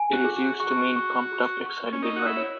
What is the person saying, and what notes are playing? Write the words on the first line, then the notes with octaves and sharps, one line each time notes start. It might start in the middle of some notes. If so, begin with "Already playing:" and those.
It is used to mean pumped up, excited, and ready.
Already playing: G#5
F#4
G#4
F#4
F#4 C#6
C#6
G#4
C#6
C#4
D#4 A#4
F#4
E4
C#5